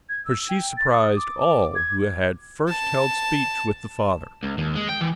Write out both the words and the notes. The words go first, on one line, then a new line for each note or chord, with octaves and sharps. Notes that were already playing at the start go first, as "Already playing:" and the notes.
For she surprised all who had first held speech with the father.
G#6
E6
G5
A6
D#6
D6
D6
G#6
A5
C#2
D#2
G#3
G5
E3